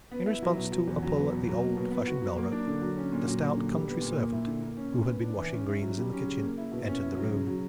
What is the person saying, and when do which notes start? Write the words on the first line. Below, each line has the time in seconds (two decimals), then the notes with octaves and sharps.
In response to a pull at the old-fashioned bell-rope, the stout country servant, who had been washing greens in the kitchen, entered the room.
0.11 B3
0.26 E4
0.42 F#3
0.57 B2
0.72 F#3
0.87 E2
1.02 F#3
1.17 B3
1.32 B2
1.47 F#3
1.61 A#3
1.77 B2
1.91 B3
2.07 F#4
2.22 F#3
2.37 A#3
2.52 D4
2.67 D3
2.81 F#3
2.97 C#4
3.12 A#2
3.27 F#3
3.42 A#3
3.56 D3
3.72 G3
3.87 B3
4.01 A#2
4.16 A#3
4.32 E4
4.47 D3
4.62 A#3
4.77 C#4
4.92 A#2
5.07 B3
5.22 D4
5.37 E3
5.53 C#4
5.67 E4
5.82 F#3
5.98 G3
6.13 C#4
6.27 C#3
6.41 A#3
6.58 E4
6.71 B2
6.88 C#4
7.02 E4
7.17 F#3
7.31 C#3
7.47 F#3